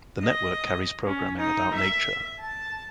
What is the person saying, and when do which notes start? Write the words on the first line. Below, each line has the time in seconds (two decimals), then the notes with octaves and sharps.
The network carries programming about nature.
0.21 D#5
1.06 C#4
1.37 D#4
1.74 E5
2.40 A5